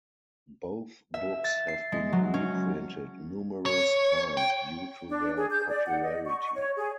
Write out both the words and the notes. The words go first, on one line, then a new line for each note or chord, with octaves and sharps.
Both books have been reprinted numerous times due to their popularity.
E5
A6
C7
G#3
F#3
C#4
C#5
G5
D4
G#4
G6
D5
F#5
D#5
C#6
C#6
C#5
G#4